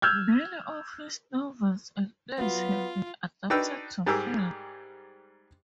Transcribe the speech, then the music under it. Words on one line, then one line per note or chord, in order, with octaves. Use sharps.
Many of his novels and plays have been adapted to film.
E6 F6 G6 G#6
F#3 B3 F4
D4 D#4 F#4 B4 G5 E6
G#2 G3 G4 G#4 A#4 E6